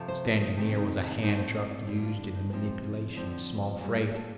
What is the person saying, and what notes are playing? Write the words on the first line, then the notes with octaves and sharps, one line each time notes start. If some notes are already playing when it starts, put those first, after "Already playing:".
Standing near was a hand truck used in the manipulation of small freight.
Already playing: C3 F3 A3
C5
F4
D#4
C3 D#3 A3 C4
D#4
D#4
A2 A3 C4 D#4
C5
D#5
D5
G2 D3 G3
F4
D4
D#4
C3 F3 C4
D3 F3 C4
A#2 G3 A#3 D4
F4
A4